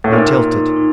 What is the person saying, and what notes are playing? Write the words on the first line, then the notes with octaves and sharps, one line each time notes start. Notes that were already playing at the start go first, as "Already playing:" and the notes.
We tilted.
A2
A#2 D#4
D#4
D#4